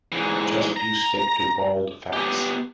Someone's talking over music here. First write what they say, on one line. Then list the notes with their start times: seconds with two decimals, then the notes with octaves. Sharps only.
Just you stick to bald facts.
0.12 G#2 E3
0.76 A#5
2.13 B3 G4